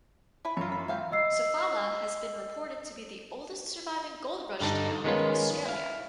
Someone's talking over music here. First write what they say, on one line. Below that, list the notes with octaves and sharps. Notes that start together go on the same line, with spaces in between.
Sofala has been reported to be the oldest surviving gold-rush town in Australia.
E4 B4 B5
F#2 F4 C#5
B5
G#1 E5 F5 G5
D#5 E6 C7
G2 D3 D4 D#4
D#3 G#3 B3 C#4 F4 B4
E4 F5